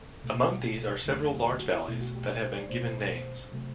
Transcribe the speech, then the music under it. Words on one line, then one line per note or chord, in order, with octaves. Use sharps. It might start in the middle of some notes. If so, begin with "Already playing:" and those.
Among these are several large valleys that have been given names.
Already playing: A4
C2 B2 A3
E2 D3 F#3 A3
G4
F#4
E4
B1 B2 A3 E4
F#4
G4
B4
C5
D5
B1 B2 A3 C5
C5
B4
C5
C3 F#3 A3